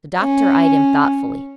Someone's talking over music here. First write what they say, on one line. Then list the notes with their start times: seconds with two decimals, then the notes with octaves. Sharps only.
The doctor eyed him thoughtfully.
0.20 C#4